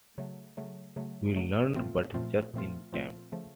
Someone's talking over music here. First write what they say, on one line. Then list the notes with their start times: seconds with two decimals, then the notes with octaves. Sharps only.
We learned but just in time.
0.18 C#3 F#3 A3
0.57 C#3 F#3 A3
0.96 C#3 F#3 A3
1.36 C#3 F#3 A3
1.75 A#2 F3 A3 C4 F4
2.14 A#2 F3 A3 C4 F4
2.54 A#2 F3 A3 C4 F4
2.92 A#2 F3 A3 C4 F4
3.32 C#3 F3 A3